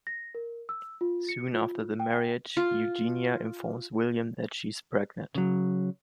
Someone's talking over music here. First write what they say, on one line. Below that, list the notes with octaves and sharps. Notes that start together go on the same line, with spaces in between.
Soon after the marriage, Eugenia informs William that she is pregnant.
A#6
A#4
E6
F4
C#7
F4
G5
F4
C#3 F#3